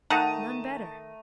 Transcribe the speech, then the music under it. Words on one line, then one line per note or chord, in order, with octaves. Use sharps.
"None better."
D#3 A3 F#5 A5 A#5 D#6